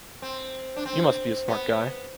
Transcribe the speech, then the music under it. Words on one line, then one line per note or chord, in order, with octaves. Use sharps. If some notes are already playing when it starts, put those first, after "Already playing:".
You must be a smart guy!
C4
D4
C4
B3